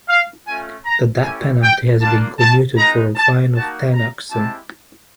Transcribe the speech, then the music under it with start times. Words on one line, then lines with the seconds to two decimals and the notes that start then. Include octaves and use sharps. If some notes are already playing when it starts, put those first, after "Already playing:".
The death penalty has been commuted for a fine of ten oxen.
0.09 F5
0.47 A3 C#4 F4 G#5
0.85 A#5
1.24 A3 C#4 E4 G4 G#5
1.62 G5
2.00 A#3 D4 F4 A5
2.39 A5
2.77 G#3 B3 D#4 A#5
3.16 A5
3.55 A#3 D#4 F#4 A5
3.93 A#5
4.31 G#3 C4 E4 G4 A5